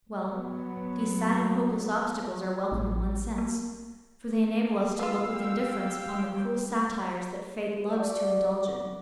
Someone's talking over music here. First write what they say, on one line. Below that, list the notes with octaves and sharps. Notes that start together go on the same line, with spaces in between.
Well, these sad and hopeless obstacles are welcome in one sense, for they enable us to look with indifference upon the cruel satires that Fate loves to indulge in.
F#3 B3
A1
A#3
B3 F4 F5 E6
G4 G5
G3
F#4 D5 E5